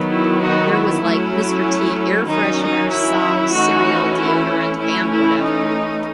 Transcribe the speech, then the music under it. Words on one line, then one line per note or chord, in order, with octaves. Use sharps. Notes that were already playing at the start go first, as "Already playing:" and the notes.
There was like Mr. T air fresheners, socks, cereal, deodorant, and whatever.
Already playing: D#3 F#3 B3
E4
D#4 F#4
E4
F#3 A3 C#4
D#3 F#3 C#4 D#4
D#4
E4
E3 A3 C#4 D#4 F#4
E4
E3 A3 C#4 E4
E4
D#4